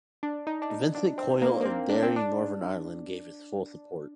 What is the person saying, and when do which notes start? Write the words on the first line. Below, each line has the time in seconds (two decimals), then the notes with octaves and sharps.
Vincent Coyle of Derry, Northern Ireland gave his full support.
0.23 D4
0.47 D#4
0.62 D4
0.70 D#4
0.95 D4
1.18 C4
1.42 A#3
1.60 A#3
1.65 C4
1.89 D4
2.03 C4
2.16 D4